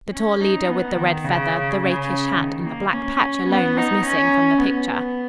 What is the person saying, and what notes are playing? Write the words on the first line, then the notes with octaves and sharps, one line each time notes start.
The tall leader with the red feather, the rakish hat and the black patch alone was missing; from the picture.
C#4
D#4
B3
D#3
C#3
C#3
D#3
A#3
C#4
B3
D#4
C#4
B3